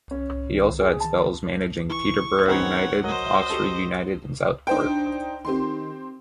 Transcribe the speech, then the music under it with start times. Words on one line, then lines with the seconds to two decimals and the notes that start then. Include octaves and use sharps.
He has also had spells managing Peterborough United, Oxford United and Southport.
0.11 C#4
0.80 G#4
1.00 A5
1.89 E3 C#6
2.48 D#3 B3 C4 G#4 C#5 F#5 A#5
3.04 F#3 A#4 C5 D#5
3.50 F#4 G4 A4
4.67 D4 D#4 C5 G5
5.45 D#3 C4 G4 C6